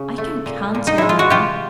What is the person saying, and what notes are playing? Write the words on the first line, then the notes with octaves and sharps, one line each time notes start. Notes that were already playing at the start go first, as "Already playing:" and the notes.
"I can canter now!"
Already playing: C#3
A3
A#2
A#2
D#4
G#3 E4
F4
F#4
C3 F4 G4